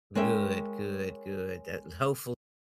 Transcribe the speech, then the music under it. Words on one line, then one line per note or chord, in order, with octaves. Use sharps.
Good, good, good, that hopeful
G#3 C#4 A#4 E5 G5